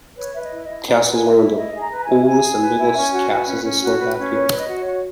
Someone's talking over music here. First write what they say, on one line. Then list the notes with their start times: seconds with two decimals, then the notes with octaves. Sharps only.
The castle is one of the oldest and biggest castles in Slovakia.
0.18 B4 C#5
0.33 B4 E5
0.42 D#5
0.53 E4
0.64 D#5
0.70 E4
0.87 B4 F#5
1.04 B4
1.11 G#5
1.22 E4
1.34 E5
1.40 E4
1.56 E4 D#5
1.74 G#4
1.80 A#5
1.91 B4
1.97 A#5
2.03 G#5
2.09 E4
2.26 E4 G#5
2.43 G#4
2.61 B4
2.78 E4
2.96 C#4
3.12 F#4
3.30 B4
3.47 C#4
3.64 C#4
3.81 F#4
3.99 B4
4.17 C#4
4.34 B4 C#5
4.50 B4
4.57 D#5
4.68 F#4
4.80 C#5
4.85 F#4